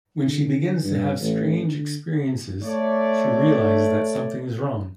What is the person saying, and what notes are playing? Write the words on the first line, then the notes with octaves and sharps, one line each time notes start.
When she begins to have strange experiences, she realizes that something is wrong.
D3
G2
A1
D3
A3 C#5 D5